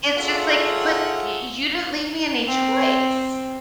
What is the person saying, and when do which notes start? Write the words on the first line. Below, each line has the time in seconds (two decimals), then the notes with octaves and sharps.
it's just like, but y you didn't leave me any choice,
0.18 F4 G#4 A4 C#5 E5 F#5
2.46 C4